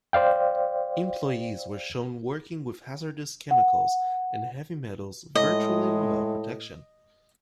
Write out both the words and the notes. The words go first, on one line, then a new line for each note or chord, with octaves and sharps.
Employees were shown working with hazardous chemicals and heavy metals virtually without protection.
C5 D5 F5 G5
F#5
A2 G#3 D#5